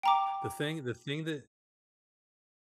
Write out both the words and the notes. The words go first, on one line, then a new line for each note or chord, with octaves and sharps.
The thing the thing that
G5 A#5 D6